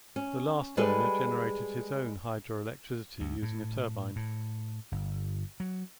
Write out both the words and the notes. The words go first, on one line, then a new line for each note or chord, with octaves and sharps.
The last owner generated his own hydro-electricity using a turbine.
C#4
G3 G#3 G#4 A4 B4
D2
A2
A2
G1
F#3